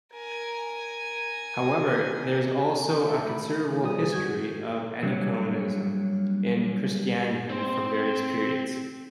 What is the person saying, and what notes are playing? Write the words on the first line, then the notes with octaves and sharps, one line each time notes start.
However, there is also a considerable history of aniconism in Christianity from various periods.
A#4 G#5
C#6 G6
E5 A5 A#5
A3 B5
B2 D3 F3 G3 G#4 D#6
F#2 F#4 G6 G#6
F#3 G3 A#3 D4 C#5
C4 C5